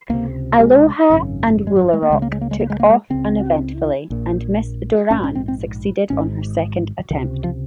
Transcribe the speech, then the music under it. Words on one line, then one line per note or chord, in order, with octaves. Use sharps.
"Aloha" and "Woolaroc" took off uneventfully, and "Miss Doran" succeeded on her second attempt.
C#2 C3 A#3
G#3
G#1 F#2 C#3
G#3
F#3
G#3
A#3
C#2 C#3 G#3
A#3
G#3
A#3
G#3
A#3
G#3
A#3
G#3
C#2 C#3 C4
A#1 A#2
A#1 G#2 C#4
C#4
C4
C4
G#1 G#2 C#4
C#2 C3 D#3
F3